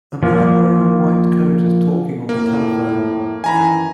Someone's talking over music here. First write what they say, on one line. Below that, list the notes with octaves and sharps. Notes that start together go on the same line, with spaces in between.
A man wearing a white coat is talking on the telephone.
F3 A#3
F2 A2 A#3
F#2 D#3 E3 G#5 A#5 B5